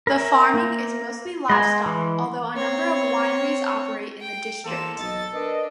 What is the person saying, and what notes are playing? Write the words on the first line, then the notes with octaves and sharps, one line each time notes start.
The farming is mostly livestock although a number of wineries operate in the district.
A#4 E5
A#3
G#3 D#5 G#5 C6
E3
C4 C#5
G5
E2 A#3 A4 C5 E7
B1 D#5 A6
D4 A#4 B4 D#5